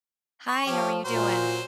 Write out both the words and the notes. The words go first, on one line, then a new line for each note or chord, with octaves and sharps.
Hi, how are you doing?
C#6
F3 C#4 G4
A#2 F#3 A#4 C5